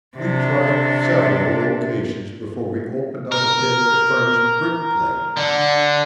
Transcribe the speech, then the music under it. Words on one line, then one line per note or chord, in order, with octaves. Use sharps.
We tried several locations before we opened up a pit that furnished brick clay.
C3 D4
A#4
D3